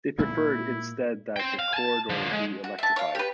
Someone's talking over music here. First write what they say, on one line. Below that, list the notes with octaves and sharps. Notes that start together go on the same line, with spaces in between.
They preferred instead that the corridor be electrified.
A#2 G#3 A#3 E4
C5 G5
F5
G#5 A5
D3 F3
G#3
F#4
E5 A5
C#5 F5
G4 B4